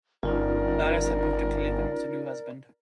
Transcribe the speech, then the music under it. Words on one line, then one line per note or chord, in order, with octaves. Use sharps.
Alice had moved to Cleveland with her new husband.
G1 C#4 D#4 F4 A#4 D5